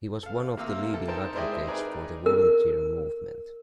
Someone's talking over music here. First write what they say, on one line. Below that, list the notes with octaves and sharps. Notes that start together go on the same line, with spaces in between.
He was one of the leading advocates for the volunteer movement.
A4 F5
C3 A#3 F5 E6
A4
D#4 A#4 C5 G5 A5
G#3 E4 C5 D5 D#5 G5
D#4 G#4 A#4 B4 D5
A#4